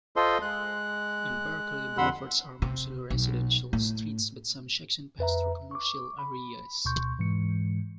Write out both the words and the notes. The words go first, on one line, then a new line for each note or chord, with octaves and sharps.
In Berkeley, boulevards are mostly residential streets, but some sections pass through commercial areas.
F4 A4 C5 D#5 C6
G#3 F#6
F2 D3 F#5 B5 C6 E6
C3
B1
A2
F2 B4 E5 A#5
C#6 D6
B5
D2 B2 C6 C#6 G6
G#2 E3 G#3 C#7